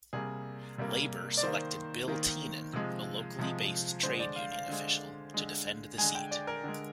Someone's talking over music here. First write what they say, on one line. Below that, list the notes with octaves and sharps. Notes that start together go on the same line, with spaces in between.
Labour selected Bill Tynan, a locally based Trade Union official, to defend the seat.
C3 G3 A#3 G#4
C3 G3 A#3
D5
D#3 A#3 C5
D#3 A#3
C3 F3 G#3
C3 F3 G#3
D3 G#3 C5
D5
F5
F5
D3 G#3
D3 G#3
D3 G#3 G#5
G5
D5
A#4
D3 G#3